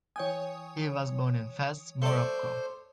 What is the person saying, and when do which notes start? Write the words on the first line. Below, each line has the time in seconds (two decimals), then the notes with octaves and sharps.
He was born in Fes, Morocco.
0.16 E3 C#5 G5 G#5 D#6
2.02 A3 C5 D5